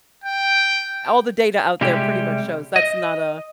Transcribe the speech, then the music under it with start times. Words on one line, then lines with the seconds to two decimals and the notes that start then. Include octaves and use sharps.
all the data out there pretty much shows, that's not a
0.24 G5
1.81 C3 G3 G#3 E4 G4
2.76 D#5